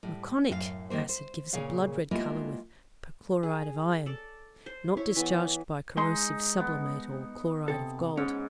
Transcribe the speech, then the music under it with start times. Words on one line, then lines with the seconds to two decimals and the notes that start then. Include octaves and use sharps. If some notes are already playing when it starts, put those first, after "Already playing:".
Meconic acid gives a blood-red colour with perchloride of iron, not discharged by corrosive sublimate or chloride of gold.
0.03 A2 G3
0.49 F#2 A2 G4 F5
0.90 D#3 G3 A#3 C5
1.09 C5
1.53 A#2 C#3 G#4 C#5 F5
2.11 G3 G#3 A#3 B3 E4 F4
3.43 G#4
4.06 A4 D5
4.66 C5
4.97 E4 C#5
5.16 E3 B3 A4
5.97 G#3 D#4 C6
6.60 B3
7.68 C3 A4
8.17 G#2 C#4